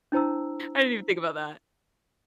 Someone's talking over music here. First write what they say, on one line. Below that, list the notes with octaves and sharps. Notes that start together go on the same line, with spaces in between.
didn't even think about that.
D4 E4 C5 A#5 E6